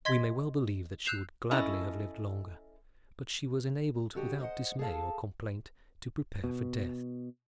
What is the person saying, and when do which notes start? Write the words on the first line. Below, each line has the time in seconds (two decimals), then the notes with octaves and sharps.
We may well believe that she would gladly have lived longer; but she was enabled without dismay or complaint to prepare for death.
0.05 D#5 C6 G#6 B6
1.05 E6 F#6 G6 C7 E7 F7
1.51 C#4 E4 A4 D#5
4.15 D3 F#4 G4 D#5
4.40 C5 D#5 F5 F#5
4.79 G#4 A4 D5 E5 F5 A5
6.44 B2